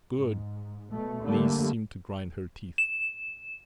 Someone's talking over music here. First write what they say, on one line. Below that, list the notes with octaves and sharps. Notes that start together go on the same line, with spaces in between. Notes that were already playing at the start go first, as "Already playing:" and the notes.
"Good," Lise seemed to grind her teeth.
G#2
B2 A3
D3 G3 A3 A#3
E7